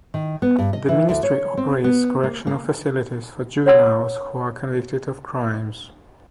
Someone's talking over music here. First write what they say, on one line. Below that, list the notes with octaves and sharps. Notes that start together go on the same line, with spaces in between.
The ministry operates correctional facilities for juveniles who are convicted of crimes.
D#3
B3
G2
D#5
E3
D2
C#5
C4
B3
A#3
A#3
C#5 D5 F#5 C6 E6